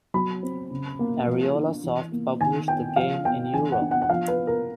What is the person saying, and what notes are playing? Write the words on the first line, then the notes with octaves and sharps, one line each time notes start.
Ariolasoft published the game in Europe.
F#3 B5
C4
C#3
A#3
F3
D4
E3
A#3
D#3 G#5
B3 G5
F3 F5
B3 G5
E3 G#5
F#5
D4
F#5
F#5
F3 F5
B4
B3
A#4